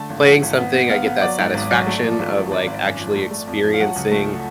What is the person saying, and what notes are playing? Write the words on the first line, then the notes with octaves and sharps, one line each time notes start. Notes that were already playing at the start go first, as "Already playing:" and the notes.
playing something- I get that satisfaction of, like, actually experiencing
Already playing: D3 A3 A5
G#1
F3 F#5
G#1
B3
B3
B3 F5
B3
F#3 D5
G#2
G#1
F#3
A3
F3
G#1
G#1
G#1 D5
G#1
F#2
F3
A3
A3
F2
F3
F5
F#3 F#5
C#2
A3